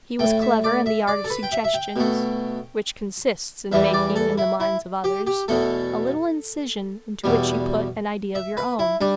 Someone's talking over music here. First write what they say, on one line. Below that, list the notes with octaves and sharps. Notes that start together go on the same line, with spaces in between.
He was clever in the art of suggestion, which consists in making in the minds of others a little incision into which you put an idea of your own.
A2 A3 G5
E5
D5
E5
D5
A4
B4
G5
E5
E5
G5
B2 A3
E2 E3 G3 E5
D5
A4
E4
E4
G4
G4
E2 B2 A3 A4
E2 B2 G3
E5
B4
E4
G3 D4